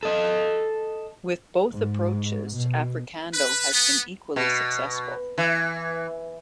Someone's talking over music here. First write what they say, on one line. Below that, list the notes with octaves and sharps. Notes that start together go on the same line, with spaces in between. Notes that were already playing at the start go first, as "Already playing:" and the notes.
With both approaches, Africando has been equally successful.
A4 D#5
G#2
B2
B4
B3
B2
E3